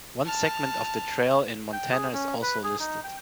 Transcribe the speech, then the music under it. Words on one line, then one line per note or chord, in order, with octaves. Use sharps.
One segment of the trail in Montana is also listed.
A5 F6
G5
G#4
C#4
B4
G#4
D#4
G5